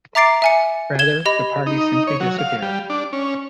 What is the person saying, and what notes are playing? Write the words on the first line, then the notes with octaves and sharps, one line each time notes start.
Rather, the party simply disappeared.
E5 A#5 D6 A6 C7 D7
E5 G#5 C#7
G#6 E7 G7
G4 D#5 B5
D#4
C#5
F#3
F5
G3
D4
C#4